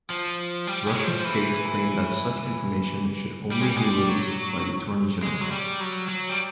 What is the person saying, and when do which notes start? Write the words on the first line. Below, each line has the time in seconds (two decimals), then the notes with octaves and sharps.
Rush's case claimed that such information should only be released by the Attorney-General.
0.10 F3
0.67 G3
0.87 G#3
0.99 F#3
1.05 F3
1.24 E3
3.52 G3
3.61 G#3
3.68 G3
3.76 G#3
3.85 G3
4.09 F#3
5.23 G#3
5.41 F#3
5.51 G3
5.80 F#3
6.09 F#3
6.30 G3